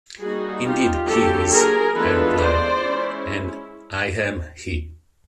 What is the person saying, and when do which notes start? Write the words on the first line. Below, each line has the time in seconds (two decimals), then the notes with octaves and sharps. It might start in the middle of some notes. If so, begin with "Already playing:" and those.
'Indeed he is,' I replied, 'and I am he.
0.20 G3 A#3 D#4 F#4 G#4
0.64 F4 G4
1.08 D3 F#3 A#3 G4 A4
1.51 G#4 A#4
1.95 E3 G#3 B3 D4 F4 A4 B4
2.39 C5 D5
2.83 G#3 C#4 E4